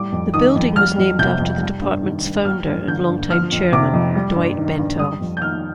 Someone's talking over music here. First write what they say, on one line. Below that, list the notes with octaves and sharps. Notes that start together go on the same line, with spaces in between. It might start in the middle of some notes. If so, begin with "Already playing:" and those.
The building was named after the department's founder and long time chairman, Dwight Bentel.
Already playing: A2 G3 D6
F2
D#3 D#6
F2
G3 F6
F2
C3 G6
F2
G3
G2
D#3
G2
G3 F6
G2
D3 G6
G2
F3 F6
F2
C3 D6
F2
G3
G2
D#3
G2
G3 D#6
F2
G6
D#3 F6